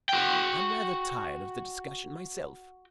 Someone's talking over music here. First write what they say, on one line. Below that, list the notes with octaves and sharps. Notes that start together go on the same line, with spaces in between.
"I'm rather tired of the discussion myself."
F#4 G5